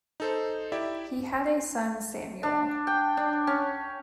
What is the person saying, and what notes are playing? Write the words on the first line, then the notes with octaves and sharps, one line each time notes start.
He had a son Samuel.
D#4 A4 C5
E4 G4 D5 E5
D4
G5
D4
C#4